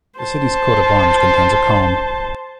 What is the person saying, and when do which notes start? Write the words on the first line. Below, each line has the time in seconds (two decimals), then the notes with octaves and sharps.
The city's coat of arms contains a comb.
0.20 C5 A5